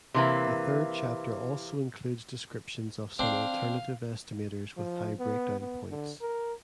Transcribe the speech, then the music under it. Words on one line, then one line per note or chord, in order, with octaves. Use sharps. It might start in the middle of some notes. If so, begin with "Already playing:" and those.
The third chapter also includes descriptions of some alternative estimators with high breakdown points.
C3 E3 A#3
C4 D4 F5
F3
B3
B3
D3
A#4